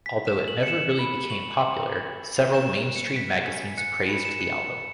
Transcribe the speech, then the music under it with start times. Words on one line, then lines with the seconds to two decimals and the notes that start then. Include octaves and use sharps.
Although it never really became popular, several mainstream magazines praised the album.
0.06 G#5 B6
0.27 E7
0.37 G#5
0.48 F#7
0.63 C#7
0.68 F#6 E7
0.99 B5
1.30 C#6 F#7
1.61 E6
1.92 G#5
2.23 E6
2.54 C#6 E7
2.75 E7
2.86 F#6
2.96 C#7
3.16 F#6 B6
3.47 G#5
3.78 F#6 C#7
3.94 C#7
4.09 B5 C#7
4.25 E7
4.40 F#6 C#7
4.72 F#6